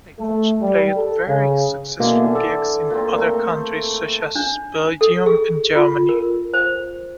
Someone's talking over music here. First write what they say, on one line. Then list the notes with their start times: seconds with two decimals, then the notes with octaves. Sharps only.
They also played very successful gigs in other countries such as Belgium and Germany.
0.20 A3
0.61 G3
0.97 A4
1.27 C#3
2.00 B2 D3 E3 A#3 G#4
2.35 A4 D5
2.90 A#2 C4
3.18 A3
4.35 D4
5.01 A4
5.26 G#4
5.76 F4
6.09 A#4
6.54 C5